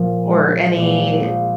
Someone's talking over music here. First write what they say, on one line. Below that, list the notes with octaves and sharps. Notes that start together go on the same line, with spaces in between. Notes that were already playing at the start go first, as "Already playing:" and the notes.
or any
Already playing: A#2 F3
G#3
A#1
F3